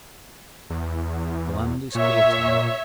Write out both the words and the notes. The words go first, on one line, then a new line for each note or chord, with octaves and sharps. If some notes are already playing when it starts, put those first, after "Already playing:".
The land is clear to-night.
E2
A#2 C#5 E5